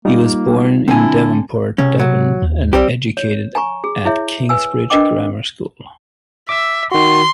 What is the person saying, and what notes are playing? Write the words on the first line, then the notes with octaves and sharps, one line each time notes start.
He was born in Devonport, Devon and educated at Kingsbridge Grammar School.
G3 A#3 D#4 F4
D3 C4 E4 A4 G#5
C#2 C3 C#4
F#3
D#2
B1 G3 C4 G4
C#5
G#5 A#5 C#6
G#4
E4 G#4 C#5 E5
B4 G#5 E6
D4 A#4 B4 D#5 G5 D6
E5 D6 E6
D#3 F#4 C6